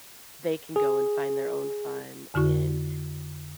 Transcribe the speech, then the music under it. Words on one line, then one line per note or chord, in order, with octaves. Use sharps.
they can go and find their own fun and
G#4
F2 D3 E4 F#4 C#6